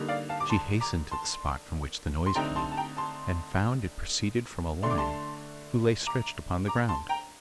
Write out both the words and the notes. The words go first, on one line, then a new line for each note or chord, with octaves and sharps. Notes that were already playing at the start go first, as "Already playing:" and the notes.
She hastened to the spot from which the noise came, and found it proceeded from a lion who lay stretched upon the ground.
Already playing: D3 G3 A#3 D#4
D5 F5
F5 A5
D6
A5 C6
A#5 D6
A5 C6
C6
D3 A3 C4 D#4 G5 A#5
A5 C6
A5
G5 A#5
A5 C6
D3 A3 D4 C6
D6
A5 C6
A#5 D6
A#5 D6
A5 C6
G5 A#5